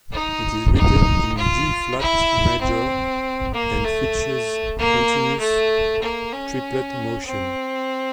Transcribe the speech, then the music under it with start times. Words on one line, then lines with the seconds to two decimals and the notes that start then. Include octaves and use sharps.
It is written in D-flat major, and features continuous triplet motion.
0.12 D#4
0.75 D#4
1.37 F4
2.00 E4
2.62 C4
3.54 A#3
3.85 A3
4.79 A#3
5.40 A3
6.02 A#3
6.33 C#4
7.26 C4